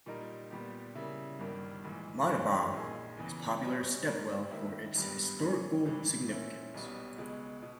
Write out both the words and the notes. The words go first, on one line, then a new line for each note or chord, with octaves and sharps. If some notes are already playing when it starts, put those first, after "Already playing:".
Madhavav is popular stepwell for its historical significance.
A#2 G3 A#3 D#4 A#4
A#2 G3 B3 G4
C#3 G3 A#3 E4
G1 G2 D#3 A#3
A#1 G#2 E3
G#1 G2 E3 G3 C#4
A#1 A#2 A#3 D#4 G#4
E2 C#3 E3
B2 G3 C#4
G#2 G3 A#3 D#4 A#4
D#2 D#3 A#3 E4
G#1 G2 G3 B3
G#2 E3 A#3 C#4 G#4
G#1 G2 E3 A#3
A#2 A#3 C#4 E4
B1 B2 G3 B3
C#2 B2 G#3
B2